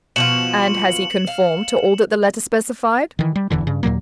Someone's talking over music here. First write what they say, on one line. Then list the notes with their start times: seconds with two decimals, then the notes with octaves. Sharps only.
"And has he conformed to all that the letter specified?"
0.16 B2 F3 F4 C#7 E7 F#7
1.27 F5
3.19 D#3 E3
3.36 G3
3.51 D1 E2 D3 E3
3.67 G2 C#3
3.83 D#2 A#2 F#3 A#3